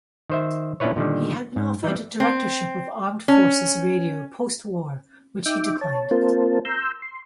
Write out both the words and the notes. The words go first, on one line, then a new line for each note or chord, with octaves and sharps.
He had been offered directorship of Armed Forces Radio postwar, which he declined.
D#3 C5 E5
A#2 C#4 D4 E4 B4 C#5
A#2 D3 D#3 G3
G#2
E3 G3
C4
C#4
D#4 E5 G5 D6
C#5 A5
A#3 C4 F4 A#4 C5 A5
A#5 C6 E6 G6
C6